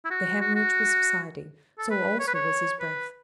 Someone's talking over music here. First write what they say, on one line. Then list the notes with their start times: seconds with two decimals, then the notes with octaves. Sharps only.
The hemorrhage was subsiding; so also was his breath.
0.05 E4
0.10 F#4
0.41 F#4
0.55 F#4
1.78 A4
1.90 B4
2.19 C#5
2.27 B4
2.34 C#5
2.80 B4